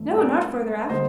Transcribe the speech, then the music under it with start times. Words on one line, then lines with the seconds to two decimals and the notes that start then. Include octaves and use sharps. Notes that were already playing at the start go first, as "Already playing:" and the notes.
"No, not further aft."
Already playing: G2 D#3 A3 C4
0.17 A#4 D5
0.89 D3 G3 A#3 C5 D#5